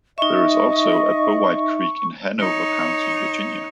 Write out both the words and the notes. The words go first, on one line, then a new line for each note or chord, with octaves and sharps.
There is also a Powhite Creek in Hanover County, Virginia.
D#4 D#5 E5 C#6
D#4 C#5